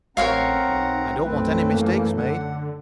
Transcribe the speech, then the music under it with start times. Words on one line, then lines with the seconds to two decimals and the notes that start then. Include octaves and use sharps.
I don't want any mistake made.
0.17 A1 C4 A#4 C#5 F5 F#5 A#5
0.67 B1
1.24 F#2 A3 C4 B4
1.72 E3 A#3
2.17 D3 F#5